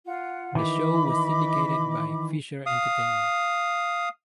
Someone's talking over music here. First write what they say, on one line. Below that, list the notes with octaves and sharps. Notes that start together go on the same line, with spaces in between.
The show was syndicated by Fisher Entertainment.
F4 F#5
D#3 E3 D#5 B5 D6
F5 D#6